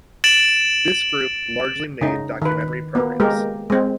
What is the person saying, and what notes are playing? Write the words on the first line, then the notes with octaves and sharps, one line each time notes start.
This group largely made documentary programmes.
A6 D7 E7 F#7
C#3 D#4
D#3 B4
A#3 B3
G#3 A#3 G4 A#4
G#3 C4